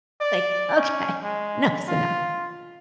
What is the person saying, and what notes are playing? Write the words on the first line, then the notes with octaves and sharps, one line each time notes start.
like, okay, enough's enough.
D5
C#4
G#3
F4